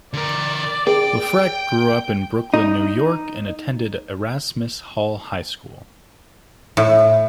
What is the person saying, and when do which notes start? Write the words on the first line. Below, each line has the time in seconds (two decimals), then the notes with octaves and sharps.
LeFrak grew up in Brooklyn, New York, and attended Erasmus Hall High School.
0.13 D3 A#4 D5
0.87 G#4 G5
2.54 D#4
6.77 A2